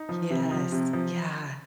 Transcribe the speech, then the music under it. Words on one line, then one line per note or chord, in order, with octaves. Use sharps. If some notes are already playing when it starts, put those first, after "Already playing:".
Yes, yeah.
Already playing: D#4
F3
C3
F3
C3
F3